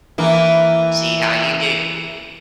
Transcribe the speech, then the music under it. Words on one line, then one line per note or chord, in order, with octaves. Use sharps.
See how you do.
E3 A#3